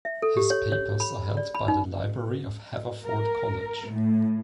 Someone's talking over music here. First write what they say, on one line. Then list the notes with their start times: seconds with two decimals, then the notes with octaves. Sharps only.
His papers are held by the library of Haverford College.
0.05 E5
0.22 A4
0.37 G4
0.50 C#5
0.72 C#5
1.00 B5
1.37 D5
1.55 B5
1.68 D#4
3.05 A#4
3.92 A2